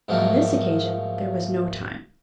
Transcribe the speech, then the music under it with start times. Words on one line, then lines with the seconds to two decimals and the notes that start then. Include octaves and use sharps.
On this occasion there was no time.
0.08 G#2 F3 F#3 A3 A#3